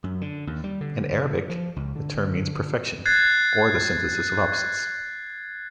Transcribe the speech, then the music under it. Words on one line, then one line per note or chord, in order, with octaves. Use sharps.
In Arabic, the term means "perfection", or the "synthesis of opposites".
F#2
D3
D#2
G3
D3
F3
C#2
D3
F#6 G#6 A6 C7